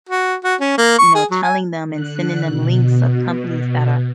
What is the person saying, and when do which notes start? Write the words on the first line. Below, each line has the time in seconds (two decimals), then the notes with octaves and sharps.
you know, telling them, and sending them links of companies that are
0.09 F#4
0.44 F#4
0.60 C#4
0.78 A#3
0.98 C#6
1.15 G#4
1.31 F#3
1.43 G#5
1.87 D3 F#6
2.43 B2